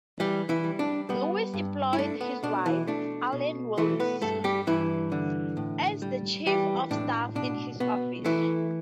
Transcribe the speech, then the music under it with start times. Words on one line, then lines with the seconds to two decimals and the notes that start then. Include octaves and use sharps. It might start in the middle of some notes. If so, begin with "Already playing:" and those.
Lewis employed his wife, Arlene Willis, as the chief of staff in his office.
0.20 E3 G3 G4
0.49 E3 E4
0.64 G3
0.79 D4
1.09 G3 B3
1.54 G2
1.93 E4
1.98 A3 D4
2.21 B3
2.43 B2 D4
2.66 E3 E4
2.87 A3 D4
3.32 B2
3.78 E3 A3 E4
4.00 B3 B4
4.22 G2 A3 A4
4.44 G3 G4
4.67 G2 E3 E4
5.12 D3
5.57 A2
6.02 G3
6.46 E3 G3 G4
6.91 A2 D4
7.35 B2 D4
7.80 B2 B3
8.25 E3 A3 E4